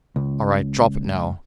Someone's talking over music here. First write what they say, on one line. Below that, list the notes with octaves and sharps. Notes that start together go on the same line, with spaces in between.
All right, drop it now.
C#2